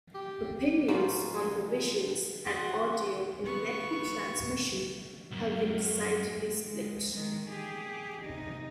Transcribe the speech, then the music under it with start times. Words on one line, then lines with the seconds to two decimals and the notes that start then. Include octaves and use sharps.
Opinions on the visuals and audio in "Network Transmission" have been decidedly split.
0.15 G4
0.88 G#2 F3 A#3 F4 F#4 B4
2.46 F#4 G#4 F#5 C6
3.44 B3 C#6
5.31 B1 F#2
6.62 G#3
7.12 D#3 G#3
7.48 G4 G#4
8.22 C3 D#4